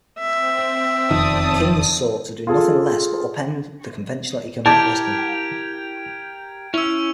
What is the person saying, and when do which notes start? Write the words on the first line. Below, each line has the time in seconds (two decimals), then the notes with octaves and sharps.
Keynes sought to do nothing less but upend the conventional economic wisdom.
0.19 C4 E5
1.11 E1 F2 D#3 D5 A5 D#6
2.47 F4 G#4 A4
4.66 E4 G4 A#4 A5 D6 G6 G#6 D7
6.74 C#4 E4 E6 F7